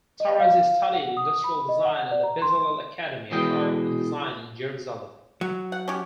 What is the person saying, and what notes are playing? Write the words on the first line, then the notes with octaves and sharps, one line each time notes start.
Tarazi studied industrial design at the Bezalel Academy of Art and Design in Jerusalem.
D#5
F5
F#5
D#6
B5
D#5
F#5
D5
A#5
C6
B2 E3 G#3 D#5 G5
F#3
F#5
C#4 G4